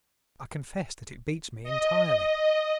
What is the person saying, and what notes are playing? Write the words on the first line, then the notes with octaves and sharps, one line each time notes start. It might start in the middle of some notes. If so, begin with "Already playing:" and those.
I confess that it beats me entirely.
D#5